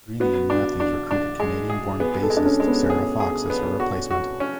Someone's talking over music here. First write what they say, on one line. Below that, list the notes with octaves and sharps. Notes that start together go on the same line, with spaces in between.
Greaney and Matthews recruited Canadian born bassist Sarah Fox as her replacement.
B3 F#4
D4
D4
D4
G#3
G#4
B3 G#4
A4
G#3
D4
C#4
G#3
B3
G#4
G#4
B3
F#4
F#4
C#4